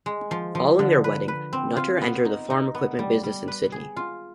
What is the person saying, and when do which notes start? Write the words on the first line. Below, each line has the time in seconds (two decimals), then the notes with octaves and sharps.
Following their wedding, Nutter entered the farm equipment business in Sidney.
0.06 G#3
0.31 F3
0.55 F3
0.79 D3
1.04 B4
1.28 B4
1.53 C4
1.77 F4
2.01 B3
2.25 D#4
2.50 D#4
2.75 B3
2.99 G3
3.23 G3
3.48 B4
3.72 G#4
3.96 F4